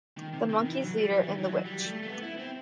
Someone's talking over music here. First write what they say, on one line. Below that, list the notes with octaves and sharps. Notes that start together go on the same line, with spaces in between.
The Monkey's leader and the Witch.
D#3
C3
D#3
E3
F#3
G3
E3
E3
D#3
E3
F#3
G3
A3
A3
B3
E4
C4